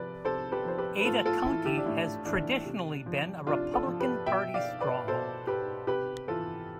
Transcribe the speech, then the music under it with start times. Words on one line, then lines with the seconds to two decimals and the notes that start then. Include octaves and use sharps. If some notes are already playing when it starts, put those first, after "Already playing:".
Ada County has traditionally been a Republican Party stronghold.
Already playing: C3 F3 B4 D5
0.25 C3 A4 C5
0.52 G4 B4
0.64 F3 C5
0.78 G4 B4
1.00 B4
1.05 A2 F4 A4
1.26 F4 A4
1.45 E3 E4
1.65 E4 G4
1.77 D4
1.86 A2 E4
2.26 E3 D4
2.65 C3
3.06 F3
3.46 C3 D4 F4
3.74 F4 A4
3.86 F3
4.00 G4 B4
4.26 B2 E5 G5
4.54 D5 F5
4.80 B4 D5
5.07 B2 A4 C5
5.47 G4 B4
5.87 C3 G4 B4
6.28 E3 F4 A4